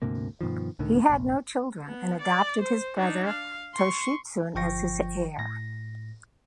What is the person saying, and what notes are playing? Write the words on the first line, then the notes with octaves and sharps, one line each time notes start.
He had no children and adopted his brother Toshitsune as his heir.
D2 G#2 C3 A#3
G2 B2 D#3 F3
C#2 A2 D3 D#3
F1 A#1
B3
D5
C5
D4 D#4
F5
C6 C#6
G1 F3 G5 C#6 A#6
A2 A#6